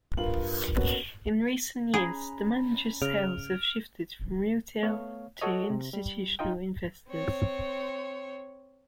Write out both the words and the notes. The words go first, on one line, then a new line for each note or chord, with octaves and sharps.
In recent years, the manager's sales have shifted from retail to institutional investors.
G2 F4 A#4 F5 F#7
A#3 B3 C#4 F#4
C#4 G#4 A#5 B5
C#3 F6 D7 F7
A3 B3 C#5 F5
F#4 A4 C#5 D#5
C3
G3
D#4 F4 D#5 G5
C4 C#5